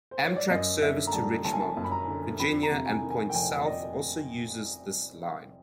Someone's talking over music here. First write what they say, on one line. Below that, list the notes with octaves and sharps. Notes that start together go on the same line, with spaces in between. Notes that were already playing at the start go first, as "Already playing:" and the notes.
Amtrak service to Richmond, Virginia, and points south also uses this line.
C5
C#5
D5
F#2 D#5
D3 E5
A#5
G3 A5
F#1 A5
G#5
A5
F#2
B5
A#5
D3
F2 B5
A#5
C3
G#5
D#3
G#5
G5
F1 G#5
D5
D#5